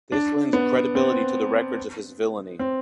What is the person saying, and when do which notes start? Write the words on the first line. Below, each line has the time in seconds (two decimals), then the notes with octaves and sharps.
This lends credibility to the records of his villainy.
0.12 D4
0.53 B3
0.95 C4
2.59 C4